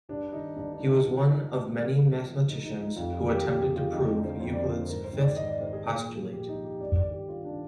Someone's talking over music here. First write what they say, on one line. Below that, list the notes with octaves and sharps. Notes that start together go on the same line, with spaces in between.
He was one of many mathematicians who attempted to prove Euclid's fifth postulate.
G2 D4
D#3 D#4
G2 D4
D4
D#3
D#4
G2 F4
D#3 D#4
G2
D#3
G2
F3
G2 D#4
D#4
F3
D#4
F2 F4
F4
D#3
G4
F2 G4
G#4
D#3
F4
F2 D#4
D#4
D3 F3
C5
F2 C5
D5
D3 F3 C5
G#2 A#4
C5
D#3
D5
G#2 D#5
D5
D#3 C5
G#4
A#2
F3
A#2 G4
D#4
F3
G4
G2 D5
D5
D#3
G4
G2 F4
D4
D#3